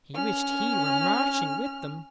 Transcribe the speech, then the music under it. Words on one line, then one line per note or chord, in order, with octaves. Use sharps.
He wished he were marching with them.
C#4 F6